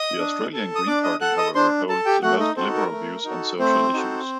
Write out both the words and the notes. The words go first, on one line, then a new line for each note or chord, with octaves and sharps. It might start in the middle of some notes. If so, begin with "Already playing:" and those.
The Austrian Green Party, however, holds the most liberal views on social issues.
Already playing: D#5 D#6
D4
A4
D#6
D4 D5 D6
D#5 D#6
A4 F#5 F#6
D#5 D#6
D4 C5 C6
A4 A5
G4 G5
A3 F#4 F#5
D#4 D#5
C4 D#4 F#4 A4 C5
A#4
A3
D#4 F#4 A4
A3 C4 C5
D#4 F#4 A4